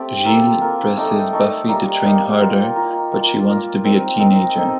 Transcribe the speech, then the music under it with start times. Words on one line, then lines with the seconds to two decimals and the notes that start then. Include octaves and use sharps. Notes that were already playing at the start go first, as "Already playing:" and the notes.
Giles presses Buffy to train harder, but she just wants to be a teenager.
Already playing: A3 C4 G4 D5
0.25 A#3 F4 A4
0.61 A#3 F4 A4
0.97 A3 D#4 A4 D5
1.33 A3 D#4 A4 D5
1.68 G3 A#3 D#4
2.05 G3 A#3 D#4
2.40 A#3 F4 A#4
2.76 A#3 F4 A#4
3.12 A#3 F4 A#4 D5
3.48 A#3 F4 A#4 D5
3.84 C4 D#4 A#4
4.19 C4 D#4 A#4
4.56 C4 D#4 A4